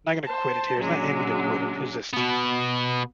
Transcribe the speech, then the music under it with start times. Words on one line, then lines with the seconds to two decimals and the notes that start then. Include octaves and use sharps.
I'm not gonna quit it here, it's not in me to quit it, it's just,
0.24 C5 A5
0.77 A#2 C#3 F#3 G#3 D4
2.13 B2 B3